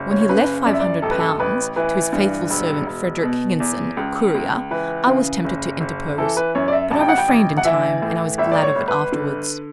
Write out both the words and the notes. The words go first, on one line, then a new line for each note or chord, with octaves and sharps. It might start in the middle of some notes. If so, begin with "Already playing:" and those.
When he left Five Hundred Pounds to his faithful servant Frederic Higginson, courier, I was tempted to interpose; but I refrained in time, and I was glad of it afterwards.
Already playing: F#1
C#5
C#5
C#3 B4
F#2 D5
E5
D5
A1 A4
B4
A4
A1 B4
E3 B4
G2
E1
E1
B2
E2
C#2
C#2
E3 B4
C#3
F#1
F#1
E3 A4
B4
F#2 C#5
D5
E5
A1 A5
G5
F#5
G5
A1
F#5
E3 E5
A2
G1 E5
D5
C#5
G1
B4
D3